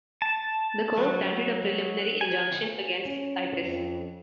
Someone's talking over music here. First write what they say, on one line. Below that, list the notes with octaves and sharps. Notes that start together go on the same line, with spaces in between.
The Court granted a preliminary injunction against Cypress.
A5
F#3
G#5
C#4
F2